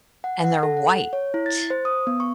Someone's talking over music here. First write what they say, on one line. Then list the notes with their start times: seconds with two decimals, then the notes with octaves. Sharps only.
and they're white,
0.24 F#5
0.44 F#5
0.63 A4
0.77 F#5
1.13 C#5
1.34 E4
1.46 A6
1.70 C5
1.85 D#6
2.07 B3
2.20 C#6